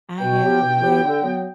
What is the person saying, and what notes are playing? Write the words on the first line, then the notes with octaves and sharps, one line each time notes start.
I have with
B2 G5
F#3 B3 E4 G4
B2
F#3 B3 E4 G4
D3
F#3 B3